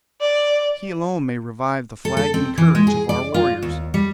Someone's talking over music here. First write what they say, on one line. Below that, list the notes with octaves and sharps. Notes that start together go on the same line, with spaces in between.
He alone may revive the flagging courage of our warriors.
D5
A4
A4
C4
E3
G#3
G#4
D5
F4
D#2
G3